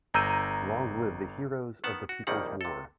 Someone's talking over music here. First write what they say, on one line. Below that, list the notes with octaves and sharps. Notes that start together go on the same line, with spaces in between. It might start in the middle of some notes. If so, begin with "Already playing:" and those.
Long live the heroes of the people's war!
G1 A#5 E6 G6 D#7
D#3 B3 F#5 A5
F#4
A#1 F2 D#3 G3 A#3 F#5
C3 A4